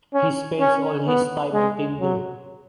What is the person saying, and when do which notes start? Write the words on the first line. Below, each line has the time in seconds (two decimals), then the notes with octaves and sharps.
He spends all his time on Tinder.
0.14 C#4
0.60 C#4
1.07 B3
1.53 G#3
2.00 F#3